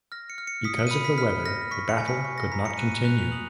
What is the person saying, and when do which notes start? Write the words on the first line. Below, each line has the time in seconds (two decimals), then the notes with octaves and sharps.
Because of the weather the battle could not continue.
0.12 F6 A#6
0.30 C#7
0.38 F6
0.47 C#7
0.64 D#6 B6
0.79 B6
0.87 D#7
0.91 B5 C#7
1.05 B6
1.18 F6 B6
1.46 F6 A#6
1.71 C#6 B6
1.89 C#7
1.98 G#5
2.08 B6
2.25 C#6
2.38 A#6
2.52 A#5 B6
2.65 C#7
2.78 F#6 D#7
2.92 D#7
3.04 F#6 F7
3.12 D#7
3.18 F7
3.32 D#6 F#7